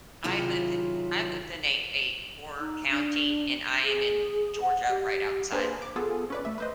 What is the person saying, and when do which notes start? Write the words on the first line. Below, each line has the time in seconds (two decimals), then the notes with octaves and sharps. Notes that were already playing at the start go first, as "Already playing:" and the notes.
I lived in I lived in a a poor county, and I am in Georgia right outside
0.24 C3 D#3 F#3 E4 F4 G#4
2.59 D#4
2.89 D4
3.84 G#4
4.61 F#5
4.89 G4
5.52 A#3 D4 G#4 B4 C5
5.82 D6
5.96 B3 F4 G#4 A4
6.30 C#4 B4 D5
6.45 A3 E5
6.58 B4 C5 D#5